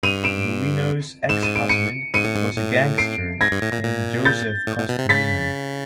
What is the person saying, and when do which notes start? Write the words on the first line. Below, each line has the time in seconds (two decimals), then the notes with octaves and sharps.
Gulino's ex-husband was a gangster named Joseph Costilino.
0.03 G2 D#7 F7
0.24 D7 E7
1.29 G#2 E7
1.43 D#7
1.56 D7
1.69 C#7 D#7
2.14 G#2 C#7 D#7
2.25 A2
2.35 G#2
2.57 A2
2.98 C7 D7
3.41 G#2 G#6 A#6
3.51 G2
3.62 A2
3.72 A#2
3.83 A#2
4.25 G6 A6
4.67 A2
4.78 A2
4.89 B2
4.99 C3
5.09 C#3 A6 B6